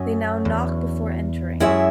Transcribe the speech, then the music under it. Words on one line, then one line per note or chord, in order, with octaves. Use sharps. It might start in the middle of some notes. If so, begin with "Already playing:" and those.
They now knock before entering.
Already playing: F#2 F#3 C#4
E2
F#2 G#3 E4 C#5 E5